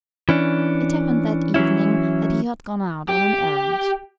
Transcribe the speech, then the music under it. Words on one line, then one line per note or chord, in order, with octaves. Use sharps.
It happened that evening that he had gone out on an errand.
E3 C#4 D4
E3 F#3 C#4 E4
G4